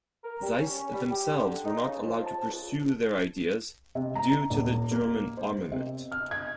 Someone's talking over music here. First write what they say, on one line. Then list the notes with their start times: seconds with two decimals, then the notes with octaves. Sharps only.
Zeiss themselves were not allowed to pursue their ideas, due to the German armament.
0.24 A#4
0.42 G3
0.60 C#4
0.92 G3
1.11 G4
1.40 D3
1.64 D#4
1.84 C#3
2.05 F3
2.24 A5
2.48 C#2
3.95 C3
4.15 A#5
4.50 D#1
4.92 A#3
5.37 C5
5.72 C3
6.12 F6
6.31 G#6